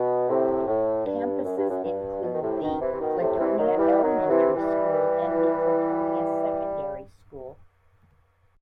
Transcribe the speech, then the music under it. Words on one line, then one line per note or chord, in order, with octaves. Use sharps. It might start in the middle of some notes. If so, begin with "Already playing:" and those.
Campuses include the Flatonia Elementary School and Flatonia Secondary School.
Already playing: B2
A2 C3
A2
G2
F#2
G2
F#2
G2
B2
D#3
A2 C3
B2 D#3
C3 E3
C3
B2 D#3
A2 C3
C3 E3
D#3 F#3
E3 G3
D#3 F#3
C3 E3
E3 G3